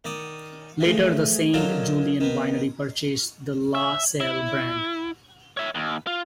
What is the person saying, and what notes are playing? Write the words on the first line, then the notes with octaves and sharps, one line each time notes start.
Later, the Saint Julian Winery purchased the LaSalle brand.
D#3 D5 D#6
E3 F3 G#3 A3
D3 D#3 F#3 F4 F#4 A4
D#3 B3
E5
E4
C#5 E5
D#2
F4